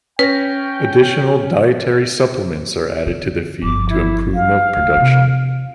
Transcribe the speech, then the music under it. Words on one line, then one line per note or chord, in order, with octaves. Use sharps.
Additional dietary supplements are added to the feed to improve milk production.
C#4 B4 G5 A#6
D3
G1 F3 D6
E4
F5
D2 D3
C3 F4